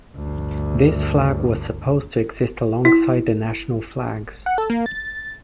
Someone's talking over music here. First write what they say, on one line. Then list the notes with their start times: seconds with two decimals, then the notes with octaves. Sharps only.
This flag was supposed to exist alongside the national flags.
0.16 D2 G2
2.85 E4
4.46 F#5
4.58 A4
4.70 A#3
4.86 A6